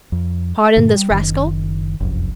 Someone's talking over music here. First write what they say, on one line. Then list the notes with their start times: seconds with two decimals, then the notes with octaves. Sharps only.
"Pardon this rascal?"
0.12 F2
0.77 G2 A#2 D3
0.94 G3
1.10 F#1 D#3
2.00 F#1 C2 F2